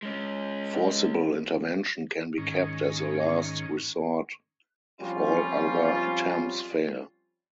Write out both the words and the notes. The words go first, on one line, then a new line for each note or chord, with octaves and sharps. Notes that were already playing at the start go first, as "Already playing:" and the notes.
Forcible intervention can be kept as a last resort if all other attempts fail.
G#3 C#4
G#2 D#3 C#4
F3 G3 C4 C#4 F4